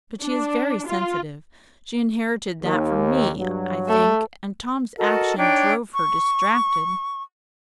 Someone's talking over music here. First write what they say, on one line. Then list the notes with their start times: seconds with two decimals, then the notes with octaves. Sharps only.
But she is very sensitive--she inherited that from me, I think--and Tom's action drove her distracted.
0.22 D4
0.87 F4
2.62 D#2
3.38 G2 F#3
3.88 A3
4.97 F#4 A4 A#4 D#5
5.37 D4 D#4 C#5 G5
5.92 C#6